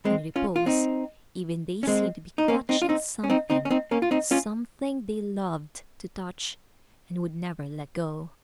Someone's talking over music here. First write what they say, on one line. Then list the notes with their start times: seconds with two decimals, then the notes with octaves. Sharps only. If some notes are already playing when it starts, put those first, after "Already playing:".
In repose, even, they seemed to be clutching something, something they loved to touch, and would never let go.
0.05 G#3 C4
0.36 C#4 F4
0.56 F4
0.66 C4 D#4
1.83 C#4
1.87 G#3 C4
2.38 D#4
2.48 A#3 C#4
2.69 C4 D#4
2.82 F4
2.89 C4 D#4
3.24 C#4
3.30 C4 D#4
3.50 C4 D#4
3.65 C#4
3.71 C4 D#4
3.91 A#3 C#4
4.02 F4
4.11 C4 D#4
4.31 C#4 F4